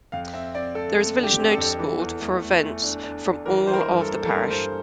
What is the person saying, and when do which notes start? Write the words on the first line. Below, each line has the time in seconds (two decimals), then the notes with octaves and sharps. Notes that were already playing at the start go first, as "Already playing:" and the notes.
There is a village notice board for events from all of the Parish.
0.12 F2 F5
0.33 C4 E5
0.54 C4 D5
0.75 C4 A4
0.97 C4 A4
1.17 D3
1.23 G4
1.38 C4
1.52 A4
1.58 F2
1.79 E3
2.00 E2
2.20 A3
2.41 A3
2.63 A3
2.83 D4
3.04 D4
3.26 D4
3.46 E3 A#4
3.66 E3 C5
3.73 A#4
3.88 G2
4.01 A4
4.08 A#3
4.23 A4
4.29 G2 A#4
4.50 G2 C5